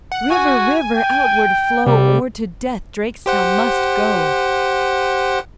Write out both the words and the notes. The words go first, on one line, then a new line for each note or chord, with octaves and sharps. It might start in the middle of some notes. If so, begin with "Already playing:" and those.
'River, River, outward flow, Or to death Drakestail must go.'
F#5
F#4 G#5
G5
C3 G3
G4 C5 F#5